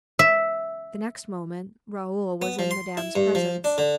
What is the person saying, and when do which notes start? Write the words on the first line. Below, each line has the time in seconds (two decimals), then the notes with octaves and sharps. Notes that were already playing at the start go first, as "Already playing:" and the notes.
The next moment Raoul was in Madame's presence.
0.19 E5
2.42 B3
2.59 F3
2.71 C6
2.97 E4
3.16 G2
3.35 F3
3.64 D4
3.78 D3